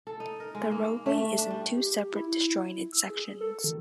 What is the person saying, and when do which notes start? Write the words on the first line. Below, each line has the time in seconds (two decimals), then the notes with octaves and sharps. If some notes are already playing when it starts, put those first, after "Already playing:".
The roadway is in two separate disjointed sections.
0.07 A4
0.20 D#4
0.40 A#4
0.55 G#3
0.71 A#3
0.84 A#3
1.06 A3
1.17 A3
1.38 D4
1.51 G3
1.77 G4
2.13 E4
2.92 E6
3.10 G#4
3.41 A4
3.64 D#3